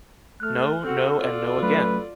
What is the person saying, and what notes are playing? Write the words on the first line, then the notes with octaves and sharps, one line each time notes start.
No, no and no again!
A3 F6 F#6
C4 F#4 A4
F4 D5
F#3 A3 C#4 B4